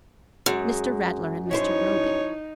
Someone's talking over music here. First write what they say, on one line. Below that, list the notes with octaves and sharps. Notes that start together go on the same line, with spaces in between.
"Mr. Rattler and Mr. Roby."
F#2 G#3
F3 D#4 E4 C5 C#5